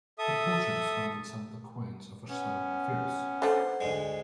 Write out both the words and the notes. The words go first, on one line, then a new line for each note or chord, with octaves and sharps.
Her portrait is found on some of the coins of her son Pyrrhus.
A4 E5 D#6
B3 C#4
D3 A3 C5 F#5
D2 G#2 G#3